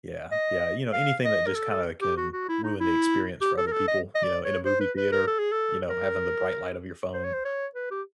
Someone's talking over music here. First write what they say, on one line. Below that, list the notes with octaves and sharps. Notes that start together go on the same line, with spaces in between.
Yeah, yeah, you know, anything that just kinda can ruin the experience for other people, you know, in a movie theater, you know, having the bright light of your phone,
D#5
F5
D#5
A#4
A4
A4
G4
F#4
F#4
E4
D#4
E4
G4
A4
A#4
A4
D#5
D#5
D5
C#5
C5
B4
B4
A#4
A4
G#4
A4
A#4
C5
C#5
C5
C#5
B4
G4